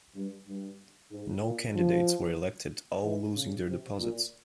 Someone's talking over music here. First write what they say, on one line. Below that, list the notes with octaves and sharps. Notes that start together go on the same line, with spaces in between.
No candidates were elected, all losing their deposits.
G2
G2
G#2
A#2
F3
E3
C#3
C3
A#2